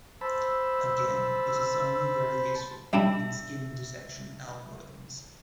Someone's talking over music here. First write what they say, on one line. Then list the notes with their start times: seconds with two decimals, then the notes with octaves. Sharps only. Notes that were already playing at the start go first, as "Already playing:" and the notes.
Again, it is only very useful in skin detection algorithms.
0.21 C5 A5 B5 E6
2.93 G3 D4 E4 E5